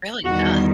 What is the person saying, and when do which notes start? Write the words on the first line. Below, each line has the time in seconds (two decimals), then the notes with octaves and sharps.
Really does.
0.24 E2 D#3 G3 F#4